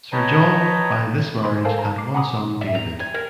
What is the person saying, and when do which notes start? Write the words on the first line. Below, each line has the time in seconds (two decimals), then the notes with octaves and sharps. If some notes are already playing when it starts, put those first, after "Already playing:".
Sir John by this marriage had one son David.
0.12 B4 C#5 D#5 G5 A5 A#5
1.43 C5 G#5 B5 C6
1.65 A4 A#4 C5 F5 G#5 A5
1.79 A5 A#5
1.98 D6 C7
2.14 F#5 G#5 A#5 B5 D6 D#6
2.61 E5
2.75 A#5
3.00 G#5
3.14 A#4